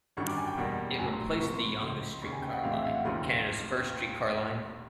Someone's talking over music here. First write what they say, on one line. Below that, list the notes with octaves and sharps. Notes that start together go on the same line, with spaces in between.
It replaced the Yonge streetcar line, Canada's first streetcar line.
G#1 F#2 D3 G3 C#6
D6
G#5
G5
E2 B2 G3 A#3 F#5
A#1 A2 F#3 G#5
C6
C#6
C2 C3 F3 A#3 C#6
C6
B5
C#2 C#3 F3 A3 C6
F1 D#2 C#3 C#6
G#5
G5
F#5
A#1 A2 E3 G#3 C4 F5
E5
F5
F#5
F1 D#2 C#3 F3 A3 C6